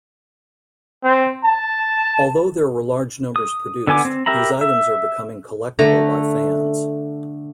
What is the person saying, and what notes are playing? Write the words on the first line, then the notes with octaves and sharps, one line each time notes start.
Although there were large numbers produced, these items are becoming collectable by fans.
C4
A5
D#6
D3 B3 G#5 D6
C4
G4 A#4 E5 A#5 B5
E5
D3 A3 A#5